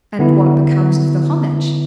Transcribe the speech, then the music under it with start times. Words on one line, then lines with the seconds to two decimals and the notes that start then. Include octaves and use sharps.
'And what becomes of the homage?'
0.19 D3 B3 E4